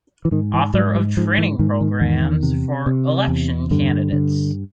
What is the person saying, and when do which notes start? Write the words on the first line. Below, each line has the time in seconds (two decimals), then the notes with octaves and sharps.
Author of training programs for election candidates.
0.25 E3
0.31 G#2 D#3
0.53 E3
0.74 G#2 F#3
0.95 G3
1.17 G#2 F3
1.38 E3
1.59 G#2 D#3
1.80 D#3
2.01 E2 D#3
2.43 C3
2.86 C3
3.28 E2
3.71 G2 D3
4.13 D3